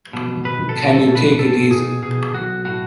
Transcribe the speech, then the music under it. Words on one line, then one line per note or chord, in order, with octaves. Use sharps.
Can you take it easy?
B2
B2 B4
A4
B2
A4
B2
B4
B2 A4
B2 G#4
B2 G#4
B1 F#4
A2 F#4